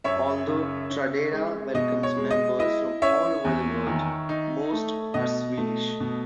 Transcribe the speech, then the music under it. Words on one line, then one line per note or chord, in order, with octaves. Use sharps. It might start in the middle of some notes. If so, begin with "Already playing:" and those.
Although Tradera welcomes members from all over the world, most are Swedish.
F#2 C#5 E5
C#3
C#4
G#3
B2 D#5
C#5
G#3
D#5
E4 D#5
C#4 C#5 E5
E2
D#3
D#4
A3
B2 D#5
A3
B2